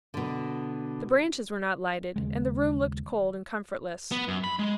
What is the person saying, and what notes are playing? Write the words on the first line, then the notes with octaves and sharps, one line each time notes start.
The branches were not lighted, and the room looked cold and comfortless.
B2 D3
D#2 C#3 G#3
B3
F#2
B5
G#3